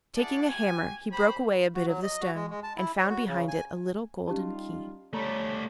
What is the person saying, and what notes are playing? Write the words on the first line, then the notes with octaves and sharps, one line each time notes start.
Taking a hammer he broke away a bit of the stone, and found behind it a little golden key.
E4 G#4 D5 F#5 A5
F#4 G4 G#5
G4 C5 B5
F#4
F#3
D#5
F#4
G#3
G#3
A5
E4
C#5
F#4
C#3
G#5
G3 C#4 D#4 F4 G4 A5
G3 A3 A4 C#5 D5 A#5 B5